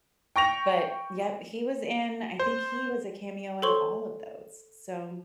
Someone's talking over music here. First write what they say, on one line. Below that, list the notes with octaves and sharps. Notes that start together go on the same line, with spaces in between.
But yep, he was in I think he was a cameo in all of those, so.
G5 C#6 A#6 F7
C5
A4 C5 C#5 C6 C#6 F#7